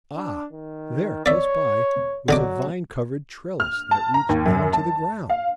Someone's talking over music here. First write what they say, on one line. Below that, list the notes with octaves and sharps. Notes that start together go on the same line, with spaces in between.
Ah, there, close by, was a vine-covered trellis that reached down to the ground!
D4
D#3
C#5 D5 E5
D3 F#3 D#5 D6
F6
A5
A#5
D#2
F#2
A5
F5